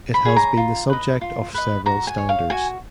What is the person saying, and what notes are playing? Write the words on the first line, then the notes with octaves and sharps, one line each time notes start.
It has been the subject of several standards.
B5
G#4 C#5
A#5
F4
B4 D#5
F4
B4 D#5
F#4 A#5
G#5
C#5
F5
F#4 G#5